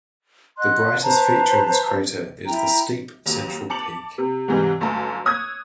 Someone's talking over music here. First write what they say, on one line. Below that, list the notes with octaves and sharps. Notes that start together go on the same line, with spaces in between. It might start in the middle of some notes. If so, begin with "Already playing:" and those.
The brightest feature of this crater is the steep central peak.
D#5 F#5 C6 F#6
B4 C5 A5 A#5
E4 G5 A#5
D#2 F#3
A5 D6 C#7 F7 F#7
C3
G#2 C3 E3 G3 G#3
G1 F#2 A3 A5
C#5 C#6 D#6 E6 F#6 G#6